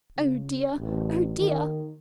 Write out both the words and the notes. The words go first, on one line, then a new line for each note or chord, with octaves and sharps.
Oh dear, oh dear!
C#3
A1
D#3